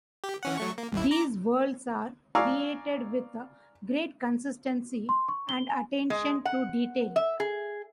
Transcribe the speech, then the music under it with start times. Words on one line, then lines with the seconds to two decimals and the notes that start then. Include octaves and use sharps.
These worlds are created with great consistency and attention to detail.
0.24 G4
0.43 E3 C#4 F#5
0.58 F#3 A3 C#6
0.78 A#3
0.92 A1 D#2 E4
1.11 A#5 D6
2.35 D5 F5 G#5 A#5 C#6 E6
5.09 C6
5.29 C#6
5.49 G7
5.69 G#5
6.10 G#3
6.45 F#5
7.16 E5
7.40 G#4